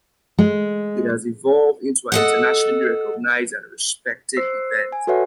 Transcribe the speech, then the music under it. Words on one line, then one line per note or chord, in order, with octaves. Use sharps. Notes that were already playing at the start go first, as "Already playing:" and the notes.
It has evolved into an internationally recognized and respected event.
G#3
A4 D#5 F#5
C5 E6 C7
G#5
F#4 A4 B4 C#5 E5 F#5